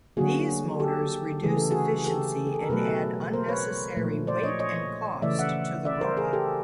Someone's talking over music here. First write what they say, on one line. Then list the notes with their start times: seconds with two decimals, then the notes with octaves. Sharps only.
These motors reduce efficiency and add unnecessary weight and cost to the robot.
0.17 D3 F#3 A#3 F#4 G#4
0.80 G4 A4
1.43 C#3 E3 A3 G#4
1.57 A4
1.71 F#4 G#4
2.07 G4 A4
2.47 G#4
2.55 A4
2.62 A#4
2.69 B2 F#3 A3 A4 B4
3.33 A#4 C5
3.49 B4 C#5
3.97 A#2 F3 A3
4.27 C5 D5
4.43 C#5 D#5
4.59 C#5 D#5
5.22 C#3 E3 A3 D5 E5
5.39 E5 F#5
5.85 D5 E5
6.01 A#4 C5
6.17 G#4 A#4
6.33 G4 A4